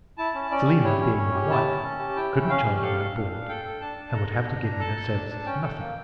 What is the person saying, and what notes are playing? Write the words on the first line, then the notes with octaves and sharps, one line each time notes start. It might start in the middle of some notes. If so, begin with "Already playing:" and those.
Selina, being my wife, couldn't charge for her board, and would have to give me her services for nothing.
E4 A5
C#4
C#4 D5
G4
E4 C#5
C#4
C#4
G4
E4 A5
C#4
C#4
G4
E4 G5
C#4
C#4 F5
G4
A4 F5
A4
D4
D4
A4 G5
A4
D4 A5
D4
A4 A#5
A4
D4
D4
A4 A5
A4
D4
D4
C#4 G5
A4
A#3